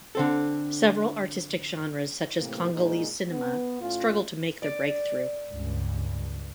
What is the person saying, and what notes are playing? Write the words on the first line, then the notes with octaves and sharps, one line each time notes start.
Several artistic genres such as Congolese cinema struggle to make their breakthrough.
D3 C4 A4
A2 C3 E3 A#3
A#2 G#3 D#4
B3
A2 C#4 F4
D5
C#2 G2